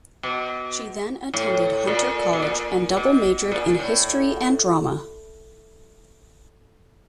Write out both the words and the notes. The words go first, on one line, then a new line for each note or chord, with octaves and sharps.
She then attended Hunter College and double majored in history and drama.
B2
A2
A#2
B2
A#2
B2
A#2
A2